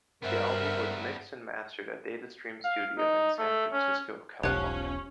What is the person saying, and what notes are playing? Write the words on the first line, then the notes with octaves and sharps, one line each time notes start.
The album was mixed and mastered at Data Stream Studio in San Francisco, California.
G2 G3 B3 A#4 C5 E5 F#5
F5
D#4
A3
C#4
E1 B1 F3 C#4 G4 F#5 G#6